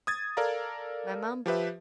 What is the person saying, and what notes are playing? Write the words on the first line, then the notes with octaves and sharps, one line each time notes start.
my mom,
D#6 G#6 A6
A4 A#4 D5 F5 A#5
F3 G4 B4 E5